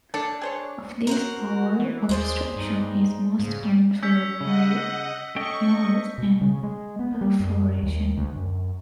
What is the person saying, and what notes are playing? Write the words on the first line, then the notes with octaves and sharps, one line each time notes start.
Of these, bowel obstruction is most common, followed by ileus and perforation.
D4 A4
G#4 C5 C#5
F#4 A#4 C5 F#5
E3
D#2 G#3 G#4 C5 D5
G2 D#4
G#2 C#3
G3
C#4 E6 G6 B6
C#3 D#5 F#5
C#4 A4 D#5 G5 C#6
D#5
B2
C#3
G#3
B3
G3
F#2
D#2
D2
F#2